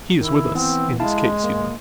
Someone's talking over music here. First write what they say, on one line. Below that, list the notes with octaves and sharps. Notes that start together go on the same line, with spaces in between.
"He is with us in this case, you know."
D#3 E4
E3 B3 C4
G#3 E4 F5 A5
A#3